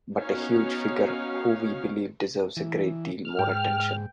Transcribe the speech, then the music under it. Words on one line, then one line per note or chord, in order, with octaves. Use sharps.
But a huge figure who we believe deserves a great deal more attention.
B3 C#4 D#4 F#4 C#5 F5
E3
F6
G#2 G5